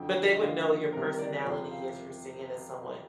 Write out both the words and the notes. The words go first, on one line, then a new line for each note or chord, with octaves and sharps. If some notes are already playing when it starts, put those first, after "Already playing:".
But they would know your personality as you're saying, as someone
Already playing: F2 D3 F3 G5
D5
D#5
D#2 D3 F3 F5
C2 C3 D#3 A#4
D5
F2 C3 F3 C5
F5